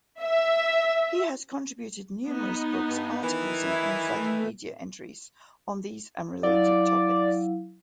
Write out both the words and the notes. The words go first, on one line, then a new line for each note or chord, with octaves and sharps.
He has contributed numerous books, articles and encyclopedia entries on these and related topics.
E5
B3 D#4
G2
D#3 E3
E4
A3
F#3 E4 D5 F5